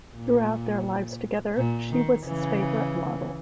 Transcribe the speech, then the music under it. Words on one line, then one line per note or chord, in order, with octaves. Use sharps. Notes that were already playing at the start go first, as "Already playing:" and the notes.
Throughout their lives together, she was his favourite model.
A#2
A#2
D#3
C#3 E3